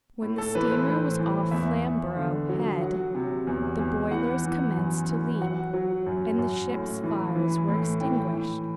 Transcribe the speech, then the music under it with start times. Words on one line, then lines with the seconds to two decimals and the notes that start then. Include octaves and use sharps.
When the steamer was off Flamborough Head the boilers commenced to leak, and the ship's fires were extinguished.
0.22 A2
0.38 A4
0.55 E3 B4
0.71 C5
0.87 A2 C5
1.19 E3
1.51 E2 E5
1.84 E2
2.16 D3
2.49 F#3
2.81 F#3 F#5
3.15 C3
3.47 E2
3.79 E2
4.11 E3 F#5
4.44 E3
4.77 F#2
5.09 E3
5.41 F#3 F#5
5.73 F#3
6.06 F#2
6.38 F#2
6.70 A2
7.03 E3
7.35 E3
7.68 A2
8.00 E3 G5
8.33 E3